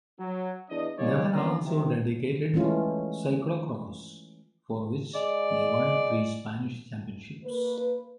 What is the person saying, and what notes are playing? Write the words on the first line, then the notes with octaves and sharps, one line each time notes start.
They were also dedicated to cyclo-cross, for which they won three Spanish Championships.
F#3
E2 D4 D#5
D#3 G3 G#3 A#3 C#5 D5
G2 A#3 B3 C#4 F4 A#5
G#1 C3 D#3
E3 G#3 A3 C#4 F4
G#3 D5
A#3 B4